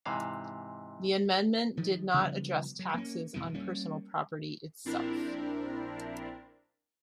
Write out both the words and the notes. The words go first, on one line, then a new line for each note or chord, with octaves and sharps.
The Amendment did not address taxes on personal property itself.
G#2 C3 E3 F5
D#3 F3
C#3 F3 G3 B3
F#3
A#3 C#4
F2 B2 D#3 E3
G3 A#3 C#4
A#1 C4 D4 E4 A#4